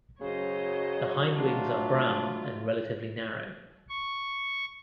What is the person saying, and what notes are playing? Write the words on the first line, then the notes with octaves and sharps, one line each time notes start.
The hindwings are brown and relatively narrow.
F#2 C#3 F#3 C5 C#5 D#5
F3 A3 D4 F4
C#6